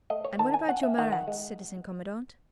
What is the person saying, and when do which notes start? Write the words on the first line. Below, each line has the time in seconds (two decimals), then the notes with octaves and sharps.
"And what about your Marats, citizen commandant?"
0.10 A3 D#5
0.25 C#5
0.39 D#3 A5
0.54 G#5
0.68 C#4 F#5
0.83 E5
0.98 D#3 F#5
1.12 F#5
1.28 G#3